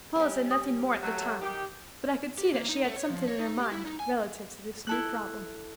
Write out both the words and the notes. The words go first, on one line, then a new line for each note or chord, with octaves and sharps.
Paula said nothing more at the time, but I could see that she had something in her mind relative to this new problem.
G3 C#4
D#6
F#3 A3
D#3 G4
G4
A#3
D#4
A3
C#5
F3
C#5
D#4
G4
E4
D#4
G#5
E4 A4 F#6